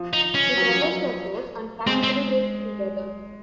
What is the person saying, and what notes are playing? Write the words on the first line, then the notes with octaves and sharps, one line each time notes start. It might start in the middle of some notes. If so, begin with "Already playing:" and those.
The brothers were close, and practically lived together.
Already playing: F3
D#4
C#4
F#3
F3
F#3
G#3 C4
C4